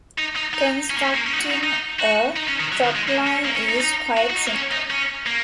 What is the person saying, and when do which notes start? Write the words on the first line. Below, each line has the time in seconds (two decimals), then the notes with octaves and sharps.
Constructing a trotline is quite simple.
0.18 D#4
0.36 D#4
0.54 D#4
0.90 C#4
0.97 A#3
1.03 C#4
1.15 A#3
1.27 C#4
1.34 D#4
1.39 F#4
1.51 D#4
1.63 D#4
1.99 F#4
2.36 D#4
2.48 C#4
2.60 D#3
2.72 F#3
2.84 D#3
2.96 G#3
3.08 A#3
3.27 C#4
3.45 A#3
3.56 C#4
3.69 D#4
3.81 D#4
4.17 F#4
4.30 F#4
4.35 D#4
4.47 A#3
4.54 C#4
4.72 D#4
4.90 C#4
5.26 A#3